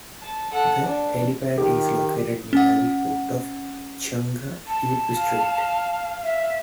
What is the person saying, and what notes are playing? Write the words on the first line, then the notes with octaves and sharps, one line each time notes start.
The helipad is located near the foot of Cheung Yip Street.
A5
A4 F#5
D4
D#3 G4
C#4 F#5
A5
F5
E5